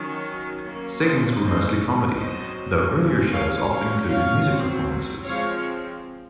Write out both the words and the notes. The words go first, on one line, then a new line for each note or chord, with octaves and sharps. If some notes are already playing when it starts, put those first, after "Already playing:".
Segments were mostly comedy, though earlier shows often included music performances.
Already playing: D#3 F#3 C#4
F#3 A#3 C#4
C5 D#5
D#3 G#3 C#4 C5 D#5
F#3 C4 C5 D#5
F3 G#3 C4
C#5 F5
F#3 C#4 C#5 F5
C#5 F5
F#3 C4
F3 G#3 C4 C#5 F5